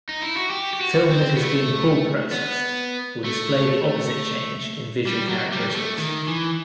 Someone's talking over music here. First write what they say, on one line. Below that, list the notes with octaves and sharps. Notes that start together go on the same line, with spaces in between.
Film that has been pull processed will display the opposite change in visual characteristics.
D#4
E4
F#4
G4
G4
F#4
C4
B3
A3
B3
A3
G3
F#3
G3
G3
A3
D#3
E3